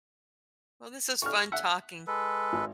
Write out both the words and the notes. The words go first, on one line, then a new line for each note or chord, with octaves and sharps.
Well, this is fun talking.
C#6 F6
E5 F#5
G#3 A4 B4
G#1